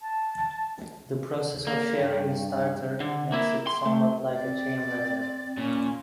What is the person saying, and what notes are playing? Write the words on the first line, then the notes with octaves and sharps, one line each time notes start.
The process of sharing the starter makes it somewhat like a chain letter.
A5
A#3
G2
D3
A#3 E4
C6
A3
C4 D5
A#2 C#4